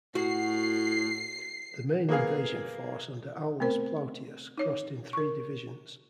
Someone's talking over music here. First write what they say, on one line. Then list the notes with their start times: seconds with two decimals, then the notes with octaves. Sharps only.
The main invasion force under Aulus Plautius crossed in three divisions.
0.15 A2 F#4 C7
2.09 A#3 B3 G#4 F5
3.60 A3 B3 C4 A#4 C5
4.58 D#4 C#5
5.13 A#4 C#6